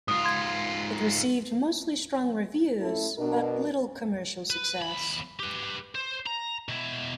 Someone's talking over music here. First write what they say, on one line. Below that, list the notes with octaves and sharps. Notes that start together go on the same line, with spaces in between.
It received mostly strong reviews but little commercial success.
G#2 F4 D#6
C6 G#6
A3 C#4 E4 A4
B2 D4 A#4
B4
D#2 B5
G4 B4
C5
A#5
B2 E4